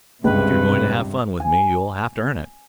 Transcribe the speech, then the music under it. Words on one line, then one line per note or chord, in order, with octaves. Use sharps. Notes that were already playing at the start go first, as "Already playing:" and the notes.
If you're going to have fun with me you'll have to earn it.
C#2 G2 C3 B4
G#5